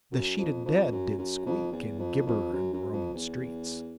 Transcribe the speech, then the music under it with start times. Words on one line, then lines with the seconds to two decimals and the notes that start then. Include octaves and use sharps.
"The sheeted dead Did squeak and gibber in the Roman streets."
0.11 F#2
0.38 F2
0.65 F2
0.91 F#2
1.18 F#2
1.46 F2
1.72 E2
1.99 F2
2.26 F2
2.52 F#2
2.73 F#2
2.92 F2
3.14 E2